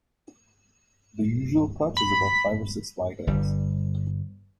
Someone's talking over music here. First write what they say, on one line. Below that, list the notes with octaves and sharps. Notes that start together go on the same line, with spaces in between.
The usual clutch is about five or six white eggs.
B5
G1 G2 G3